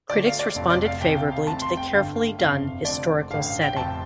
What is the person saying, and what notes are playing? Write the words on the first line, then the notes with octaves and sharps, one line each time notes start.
Critics responded favourably to the carefully done historical setting.
D2 D3 D5
F5
D5
F1 F2 C3
D5
F5
C2 C3 G5
F5
F5
F1 F2 C3 A5
C6
G5
G1 G2 D3 F5
F5
G1 F2 C3 F5
F1 F2 D3 D5
A1 G2 D3 F5
F5
G5
F1 F2 C3 A5